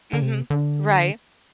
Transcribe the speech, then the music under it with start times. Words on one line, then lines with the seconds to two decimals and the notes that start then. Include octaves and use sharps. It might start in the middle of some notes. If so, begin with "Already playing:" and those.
Mhm, right.
0.13 D3
0.22 C3
0.50 D3